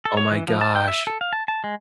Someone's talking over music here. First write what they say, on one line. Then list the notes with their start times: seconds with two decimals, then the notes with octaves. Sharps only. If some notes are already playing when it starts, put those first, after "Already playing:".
Oh my gosh,
0.05 A4
0.17 C#5
0.32 E3
0.48 F3
0.61 A5
0.76 G5
0.88 E5
1.07 A4
1.21 F5
1.33 A5
1.48 A5
1.64 G#3